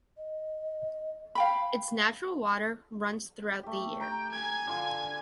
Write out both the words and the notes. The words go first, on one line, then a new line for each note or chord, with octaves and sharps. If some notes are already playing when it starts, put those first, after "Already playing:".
Its natural water runs throughout the year.
D#5
F5 G5 B5
A3 G4
G5 A#5
G#5 G#6
D3 F4